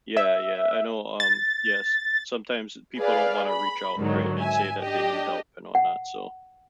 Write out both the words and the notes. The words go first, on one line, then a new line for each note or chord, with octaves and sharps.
Yeah, yeah, I know, um Yes, sometimes people don't want to reach out, right, and say that they need help and whatnot, so
E5
A6
G#4 B4 D5 F5
B5
G#2 D3 D#3 F#3
E5 G#5
D4 G4 D#5
F#5